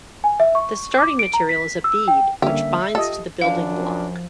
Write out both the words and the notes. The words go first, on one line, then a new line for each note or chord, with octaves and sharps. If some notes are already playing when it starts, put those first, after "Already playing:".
The starting material is a bead which binds to the building block.
G#5
E5
C#6
D6
D7
A#5
B6
E6
G5
D3 G3 A#3 C#4 G4 E5
F4 G4 A4 D#5
F#2 F3 D4 F5